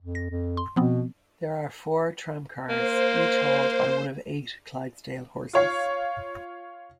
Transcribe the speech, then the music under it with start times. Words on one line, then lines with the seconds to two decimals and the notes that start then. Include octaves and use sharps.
There are four tramcars, each hauled by one of eight Clydesdale horses.
0.01 F2
0.15 A#6
0.31 F2
0.57 C6
0.76 B2 F3 B3 C4
2.69 A#3 C5
5.53 F4 C#5 F5